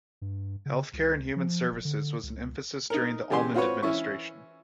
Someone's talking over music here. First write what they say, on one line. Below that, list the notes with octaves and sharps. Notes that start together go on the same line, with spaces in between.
Health care and human services was an emphasis during the Almond administration.
G2
C#3
C#2
F3
F1
D3
C#2
D#4 A#4
C#3 E3 G4 G#5 C6
C4 F4 F#4 B4 C#5
E3 C#4 E4 C#6